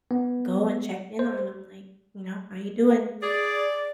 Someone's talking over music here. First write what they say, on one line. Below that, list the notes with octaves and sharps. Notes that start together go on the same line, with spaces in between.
go and check in on 'em, like, you know, "How you doing?
B3
C5
G#4 D5